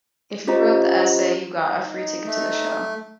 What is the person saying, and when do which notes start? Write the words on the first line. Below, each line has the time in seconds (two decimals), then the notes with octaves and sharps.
If you wrote the essay, you got a free ticket to the show.
0.47 C#4 F4 G4 C5 D#5 A#5
1.78 D#4
2.27 A3